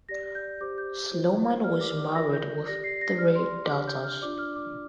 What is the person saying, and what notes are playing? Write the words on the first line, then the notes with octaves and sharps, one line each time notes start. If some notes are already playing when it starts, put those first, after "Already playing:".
Sloman was married with three daughters.
G4 D5 A#6
G6
G4 C5 D6
G6
F4 C5
G4 A#4 D5 F6
D6
D6
F4 A#4 D5 A#6
G6
G4 D5 A#6
C7
C7
A#6
G4 D5 F6
C6
D6
D4 G4 C5 F6
G6
F6
D4 F4 D5 D6
D6
F6
D6